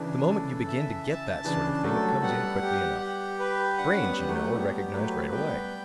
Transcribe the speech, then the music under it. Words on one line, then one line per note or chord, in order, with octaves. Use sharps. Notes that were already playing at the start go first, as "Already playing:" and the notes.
The moment you begin to get that sort of thing it comes in quickly enough. Brains, you know, are recognized right away.
Already playing: C#3 E3 D4
A4
E5
A5
C#3 E3 D4
F#3 A3 A4
G3
A3
G3 B3 F#5
G4
G4
B4
D4 F#5
C#4
G3 B3
G4
F#3 A3
G3 B3 G4
F#3 A3 B4
G3 B3 G5